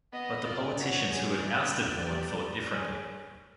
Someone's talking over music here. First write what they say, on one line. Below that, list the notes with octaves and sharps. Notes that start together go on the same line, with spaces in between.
But the politicians who had ousted Horn thought differently.
B3 D#5
F4 D5
F#4 C#5
G#4
D5
G4
G#4